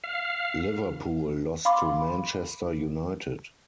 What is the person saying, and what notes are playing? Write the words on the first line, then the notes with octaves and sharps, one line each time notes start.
Liverpool lost to Manchester United.
F5
F5 B5 C6 D6